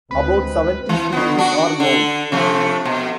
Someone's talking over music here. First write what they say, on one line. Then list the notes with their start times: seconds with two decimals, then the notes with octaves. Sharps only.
About seventy species are known.
0.11 D2 G#3 C4 B4
0.89 E3
1.12 D3 B3
1.38 D4 F#4
1.80 D3
2.32 C3 F3 A3
2.85 B2